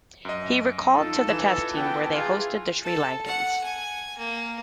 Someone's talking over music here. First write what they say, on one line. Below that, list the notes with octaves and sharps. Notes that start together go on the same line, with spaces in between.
He was recalled to the Test team where they hosted the Sri Lankans.
F#2 D#5
D#4 F4 A4
E3 E7
B3 G5 A5
F4 G#4
A4
F#5
G#5
A#3